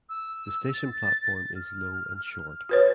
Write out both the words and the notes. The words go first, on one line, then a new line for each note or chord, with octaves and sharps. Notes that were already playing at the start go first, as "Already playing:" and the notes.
The station platform is low and short.
E6
A6
F6
F#4 B4 C#5